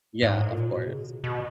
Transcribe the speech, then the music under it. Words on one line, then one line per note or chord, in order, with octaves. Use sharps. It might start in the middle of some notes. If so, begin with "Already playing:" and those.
Yeah. Of course.
G#2
A2
A#2
B2
C#3
B2